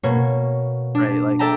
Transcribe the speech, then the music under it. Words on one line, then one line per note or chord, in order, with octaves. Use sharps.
right, like,
B2 A#3 C#5
D4
A4 D5 E5 G5 A5 A#5